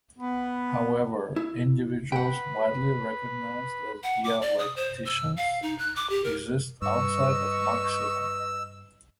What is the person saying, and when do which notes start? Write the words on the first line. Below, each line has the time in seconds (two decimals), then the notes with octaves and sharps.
However, individuals widely recognized as dialecticians exist outside of Marxism.
0.19 B3
1.36 E4
2.12 B4 F#5 G5
4.03 F#5
4.24 D6
4.42 D5
4.59 D#6
4.76 C5
5.06 E6
5.37 F5
5.62 D#4
5.79 F#6
5.96 D6
6.10 G4
6.24 A#4
6.82 G2 B4 D#5 C#6 E6